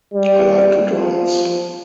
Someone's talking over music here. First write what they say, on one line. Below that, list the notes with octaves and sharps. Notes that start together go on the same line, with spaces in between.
I like to dance.
G3
F3